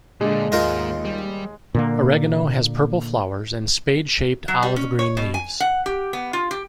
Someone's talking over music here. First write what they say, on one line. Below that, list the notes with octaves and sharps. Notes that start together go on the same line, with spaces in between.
Oregano has purple flowers and spade-shaped, olive-green leaves.
A#2 D3 G#3
D#2 G#2 D#4 F4 A#4
G3
A#2 D3 A#3
F#3
G3
C#4
C#5
B2
G#5
F#5
G4
B3
F4
G4